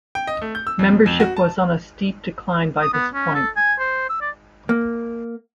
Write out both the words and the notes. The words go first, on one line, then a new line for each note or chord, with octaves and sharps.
Membership was on a steep decline by this point.
G5
D#5
A3
G6
E6
F2
B2
F2
F#4
A5
D#6
B3
C#4
A4
G#5
C5
E6
D5
A#3